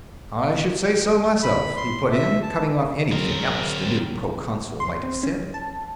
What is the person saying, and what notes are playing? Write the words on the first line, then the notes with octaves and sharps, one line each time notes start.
"I should say so, myself," he put in, cutting off anything else the new Proconsul might have said.
B5
C6
E5
A5
D3 F#3 C4 G#4 A#4
C6
C4
C#4
A5